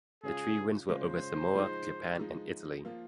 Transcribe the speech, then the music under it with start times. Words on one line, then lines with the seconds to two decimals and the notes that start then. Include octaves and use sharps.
The three wins were over Samoa, Japan and Italy.
0.23 C#3 G#3 C#4 F4 G#4
0.88 C#3 G#3 C#4 F4 C5
1.54 F3 G#3 D#4
2.19 F3 G#3 D#4
2.85 F3 A#3 F4